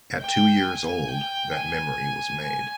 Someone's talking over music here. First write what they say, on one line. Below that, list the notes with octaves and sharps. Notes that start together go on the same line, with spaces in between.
At two years old that memory was made.
G5
G#5
G5
G#5
G#5